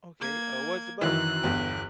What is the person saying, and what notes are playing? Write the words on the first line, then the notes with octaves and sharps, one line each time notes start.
Okay, uh, what it's about?
A#3 G#6
F#2 D#3 E3 F#6
G1 E2 G2